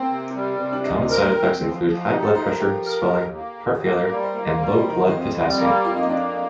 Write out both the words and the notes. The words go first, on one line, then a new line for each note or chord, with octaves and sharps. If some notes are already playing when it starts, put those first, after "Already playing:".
Common side effects include high blood pressure, swelling, heart failure, and low blood potassium.
Already playing: A#3 C4
C3
G3
C3 C4
D4
D2 D#4
F4
A#4
C4
F3
F3
D#4 G4
A4
F3 C5
A#4
F3 G4
A#4
D#2
A#3
D#2
A#3
G3 A#4
C5
A#3 A#4
C5
G3 A#4
C5
D#3 A#4
F2 C5
G3
A#3 A#4
F2 F4
D#4
A#3 D4